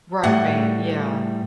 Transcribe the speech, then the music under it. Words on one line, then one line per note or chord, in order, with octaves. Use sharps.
Right, yeah.
A2 G3 A3 F#5